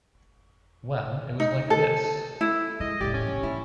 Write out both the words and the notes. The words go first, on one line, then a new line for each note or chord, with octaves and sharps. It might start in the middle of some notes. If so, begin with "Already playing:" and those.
Well, it was like this.
D#4
A4
E4
G#3 D#5
D#1 A1 G4 D5
C#4
A#1 A3
A#3 E4